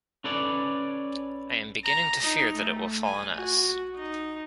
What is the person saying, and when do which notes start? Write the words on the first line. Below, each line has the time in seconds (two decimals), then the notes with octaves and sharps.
I am beginning to fear that it will fall on us.
0.24 C#4 A4 B4 C#5 D5
1.85 A#5
2.23 D#4
2.55 A3
3.05 G#5
3.35 F#4
3.96 D#4